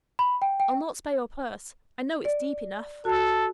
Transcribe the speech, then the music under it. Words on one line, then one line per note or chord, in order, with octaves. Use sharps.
I'll not spare your purse,--I know it's deep enough.
B5
G5
G5
D5
F#4 A4 E6